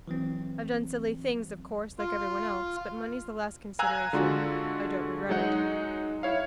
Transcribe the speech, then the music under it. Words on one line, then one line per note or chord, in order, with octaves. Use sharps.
I've done silly things, of course, like everyone else, but money's the last consideration; I don't regret it.
E3 F#3 C4
F4
F5 G#5 A#5 E6 F#6
D3 G#3 F4 F#4
F#3 G#3 D#4 F#5
E4 C#5 F5